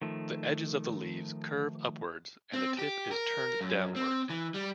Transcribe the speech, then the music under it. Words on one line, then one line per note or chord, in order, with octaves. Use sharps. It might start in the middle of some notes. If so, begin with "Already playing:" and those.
The edges of the leaves curve upwards and the tip is turned downwards.
D#3 F3 A3
C4
G4
A#4
F#2
C4
E3
G3